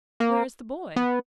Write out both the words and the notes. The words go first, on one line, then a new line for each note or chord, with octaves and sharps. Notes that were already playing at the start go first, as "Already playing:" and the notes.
"Where is the boy?"
A#3
B3